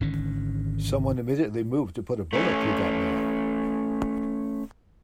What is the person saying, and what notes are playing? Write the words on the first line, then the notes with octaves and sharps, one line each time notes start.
Someone immediately moved to put a bullet through that man.
G#1 D3 D#3 C#4
A3 C#4